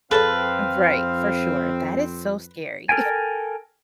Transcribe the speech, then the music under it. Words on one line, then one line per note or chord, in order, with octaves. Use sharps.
Um, v right, for sure, that is so scary.
F2 C4 G#4 A4 B4 C#5 F5 A5
A4 A#4 G5 G#5